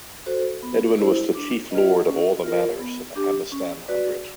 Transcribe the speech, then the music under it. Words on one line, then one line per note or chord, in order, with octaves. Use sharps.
Edwin was the chief lord of all the manors in the Hamestan Hundred.
F#4 A4 C5
B3
E4 G#4 C5
D4
F4 G#4 B4 D#5
C#4
F4 A#4
B3
D4 G4
C#4
F#4 B4 D5